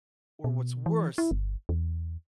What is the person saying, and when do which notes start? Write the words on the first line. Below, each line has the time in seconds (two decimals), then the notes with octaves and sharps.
or what's worse,
0.44 B2
0.86 E3
1.18 E4
1.31 G1
1.69 E2